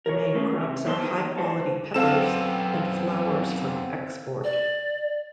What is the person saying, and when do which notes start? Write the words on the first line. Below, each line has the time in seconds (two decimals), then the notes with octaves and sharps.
The main crops are high quality peppers and flowers for export.
0.06 A#4 C#5
0.34 G#3 A3 B3 C#4 G#4
0.61 C3
0.86 F#2 B3 C5 A5 C6
1.01 E2 D#3
1.37 G2 A3 C5 F#5 A5
1.94 F#2 B3 C4 A4 F5 E7
4.44 D5